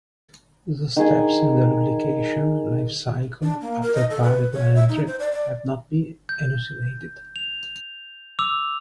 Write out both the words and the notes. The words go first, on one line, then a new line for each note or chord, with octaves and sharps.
The steps in the replication lifecycle after particle entry have not be elucidated.
D#3 G#4 G#5
D4
A#3
A#4
D#5
A4
B4
C#5
E5
D#4
C5
D5
D5
G6
F7
D6 E6 F7